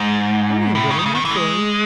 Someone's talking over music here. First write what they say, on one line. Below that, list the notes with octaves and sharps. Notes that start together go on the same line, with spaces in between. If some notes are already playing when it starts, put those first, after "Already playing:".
"Only a little--not very."
Already playing: G#2
A2
C#3
D#3
C#3
D#3
E3
A3
G#3